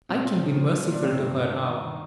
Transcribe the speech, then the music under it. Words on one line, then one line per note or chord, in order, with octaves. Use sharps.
"I can be merciful to her now."
A#2 C4
A#2
F3
F3
F3
A#2 D4
G2 C4
G2
G2
D#3
D#3
D#3